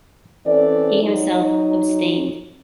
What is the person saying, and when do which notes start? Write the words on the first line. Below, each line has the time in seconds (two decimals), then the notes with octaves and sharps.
He himself abstained.
0.45 E3 C4 C#4 A4 D5
1.03 F#3 D#4